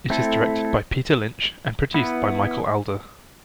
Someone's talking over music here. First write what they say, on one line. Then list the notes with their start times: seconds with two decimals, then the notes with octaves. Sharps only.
It is directed by Peter Lynch and produced by Michael Allder.
0.10 A3 C4 E4 A4
1.94 B3 E4 B4